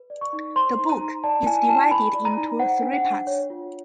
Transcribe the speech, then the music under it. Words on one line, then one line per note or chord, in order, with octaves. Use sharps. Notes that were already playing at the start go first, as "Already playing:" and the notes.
The book is divided into three parts.
Already playing: B4
D5
C#6
D#4
C5 C6
D#4
A#5
D#4
D5 A5
E4 G#5
E4 A5
B4 B5
D5
A#5
D#4
C5 F#5
D4
F#5
D4
C#5
F4